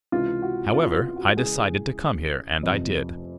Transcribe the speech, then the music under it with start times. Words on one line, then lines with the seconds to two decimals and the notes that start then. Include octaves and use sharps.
However, I decided to come here, and I did.
0.12 C#2 C3 E3 F4
0.42 F#4
0.74 F4
0.96 F4
1.16 F#4
1.37 C#2 C#3 E3 G#4
2.61 F1 F2 C3 F3